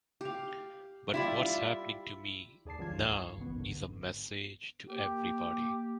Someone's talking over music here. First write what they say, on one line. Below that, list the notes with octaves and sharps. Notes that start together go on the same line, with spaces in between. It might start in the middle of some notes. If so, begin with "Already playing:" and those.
But what's happening to me now is a message to everybody.
G4 F5
G3 E4 F4 D5
D#2 G#4 D5 A5 C7
C#2 E3 F#3 G3 F4 G#6
G2 D#3
C#6
G#1 C#2 E3 B3
G#2 D3
A#3 G4